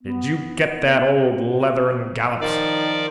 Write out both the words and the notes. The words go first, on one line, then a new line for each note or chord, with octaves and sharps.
Did you get that, old Leather-and-Gallops?'
B3
D#3 F3 D5